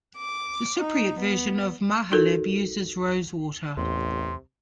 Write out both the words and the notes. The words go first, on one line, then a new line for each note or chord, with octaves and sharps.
The Cypriot version of mahaleb uses rosewater.
D6
D#4
B3
D#4 F#4 A4 A#4
A1 E2 C3 C6